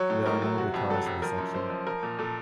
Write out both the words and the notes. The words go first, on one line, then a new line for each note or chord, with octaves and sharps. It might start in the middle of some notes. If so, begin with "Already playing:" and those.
There are no guitars in this section.
Already playing: F#3 C#5
A2
A2 A#4
F#3
C3 F#4
F2
F#3 A4
F2
F3 A#4
F#2
F#2 C5
F3
F3 A#4
A#2
A#2 A4